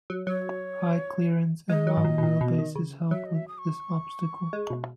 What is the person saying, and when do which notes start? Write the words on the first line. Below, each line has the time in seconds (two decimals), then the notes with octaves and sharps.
High clearance and long wheelbases help with this obstacle.
0.10 F#3
0.27 F#3 C#5
1.69 G#3 D#5
1.87 F#3
1.97 G#2
2.04 A#2
2.18 B2
2.23 A#2
2.41 B2
2.58 D#3
2.75 C#3
3.11 F#3 E5
3.26 D#5
3.35 E5
3.48 D#6
3.58 C#6
4.53 G#3
4.70 B2